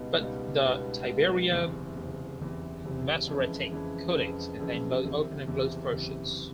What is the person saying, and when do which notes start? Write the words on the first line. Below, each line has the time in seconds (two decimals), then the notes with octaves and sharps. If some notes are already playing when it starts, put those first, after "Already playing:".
But the Tiberian masoretic codices contain both open and closed portions.
Already playing: C#2 B2 G3 B3 D#4
0.20 C#2 B2 G3 B3 D#4
0.64 C#2 B2 G3 B3 D#4
1.08 C#2 B2 G3 B3 D#4
1.52 F#1 E2 C3
1.96 F#1 E2 C3
2.40 F#1 E2 C3
2.84 F#1 E2 C3
3.27 F2 C#3 E3 G#3
3.71 F2 C#3 E3 G#3
4.16 F2 C#3 E3 G#3
4.60 F2 C#3 E3 G#3
5.04 F#1 E2 C3
5.48 F#1 E2 C3
5.92 F#1 E2 C3